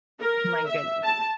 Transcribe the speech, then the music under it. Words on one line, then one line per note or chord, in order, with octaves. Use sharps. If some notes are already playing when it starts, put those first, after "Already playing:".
My goodness.
A#4
E5
A5